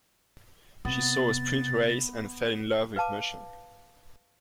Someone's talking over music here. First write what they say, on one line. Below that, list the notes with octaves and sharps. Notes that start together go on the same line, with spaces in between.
She saw a sprint race and fell in love with mushing.
C3 B3 A6
B4 F5 A5 D6